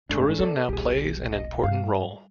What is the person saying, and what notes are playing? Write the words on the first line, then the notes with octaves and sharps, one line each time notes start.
Tourism now plays an important role.
F#1 G#2 A3 D4
B3 A4 D5
D#1 B1 G4 G#4
D#5
G2 F5